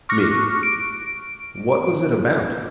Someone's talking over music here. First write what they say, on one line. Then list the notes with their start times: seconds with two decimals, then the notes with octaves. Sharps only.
ME: What was it about?
0.09 C#6 D6 F6 F#6 A#6 C#7
0.63 D7